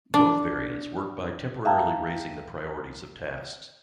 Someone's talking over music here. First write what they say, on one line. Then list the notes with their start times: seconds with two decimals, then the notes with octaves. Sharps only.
Both variants work by temporarily raising the priorities of tasks.
0.14 D4
1.65 E5 F5 G5 A5 A#5